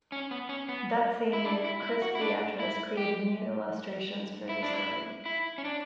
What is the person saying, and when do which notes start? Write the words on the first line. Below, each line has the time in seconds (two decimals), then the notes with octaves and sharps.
That same year Chris Beatrice created new illustrations for the story.
0.12 C#4
0.31 B3
0.49 C#4
0.69 B3
1.33 E4
1.45 D4
1.64 E4
1.82 E4
2.02 F#4
2.15 E4
2.21 D4
2.60 E4
2.97 G4
4.49 E4
4.62 D4
4.73 E4
5.25 E4
5.58 C#4
5.64 D4